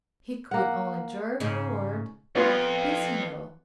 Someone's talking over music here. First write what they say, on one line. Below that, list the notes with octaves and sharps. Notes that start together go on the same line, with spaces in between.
He could only jerk a word out piecemeal.
A#3 F#5
G#2 C#3
F2 B3 F4 C6